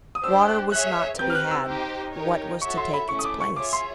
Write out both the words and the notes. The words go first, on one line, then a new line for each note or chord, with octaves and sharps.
Water was not to be had; what was to take its place?
D#6
D4 G4 C5 E6
F#6
G#4 C#5 E5 F#6
C4 D#4 G4 B4 G6
F6
F#6
E6
D#4 G4 C5
D#4 G4 A#4 C#5
F#4 A4 C#5 E5 C#6
C6
B5
A3 C#4 E4 C#6
D#6
D6
C#6
F4 G#4 C#5 E5 D6
C6